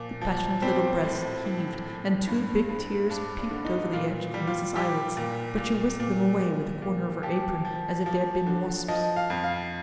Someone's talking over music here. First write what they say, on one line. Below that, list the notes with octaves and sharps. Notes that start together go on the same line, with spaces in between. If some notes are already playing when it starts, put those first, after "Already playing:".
The passionate little breast heaved, and two big tears peeped over the edge of Mliss's eyelids, but she whisked them away with the corner of her apron as if they had been wasps.
Already playing: A#2 F3
F3
G3 C4
A2
A2
A2
G2
G2
G2 D4
D4
D3
D#4
A#2 F4
G3
F4
G3 G4
A#2
A#2
A#2
A#2
A#2
F3 G4
F3
F3
D3
F3 D#5
F5
F2
F5